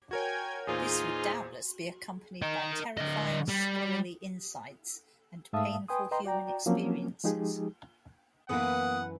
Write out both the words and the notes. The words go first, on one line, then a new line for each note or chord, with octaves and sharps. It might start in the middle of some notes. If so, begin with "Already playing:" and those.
This would doubtless be accompanied by terrifying scholarly insights and painful human experiences.
F#4 A#4 C#5 G5 G#5 G#6
E2 A#2 D#4 F4 G#4 C5
A#4 D#5
D3 D#5
G3
G#2 A3 E5 F5 A5 D#6
B4 G5 G#5 C6 D#6
B4 D#5 G5 A#5 C6
F#4 D5 G5 A#5
F3 F#3 A#3 C4 C#4
F3 G#3 D#4 G4 G#4
F#2 E3 A#3 B3 B4 F#5 D#6